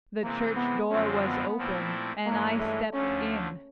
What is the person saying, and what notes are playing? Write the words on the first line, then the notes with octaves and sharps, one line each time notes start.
The church-door was open and I stepped in.
C3 E3 G#3 A#3 C4
B3
F#2 D3 F3 G#3 C4 C#4
B3
A#2 F3 A3 C4 E4
G2 E3 G#3 A#3 C#4
A3
D2 D3 F3 A3 C#4